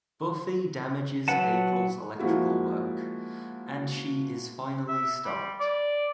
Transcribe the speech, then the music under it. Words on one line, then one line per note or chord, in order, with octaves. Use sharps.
Buffy damages April's electrical work, and she is finally stopped.
F#3 B4 F#5 A5
F3 G#3 A#3 E4 F#4
E5
G3
D5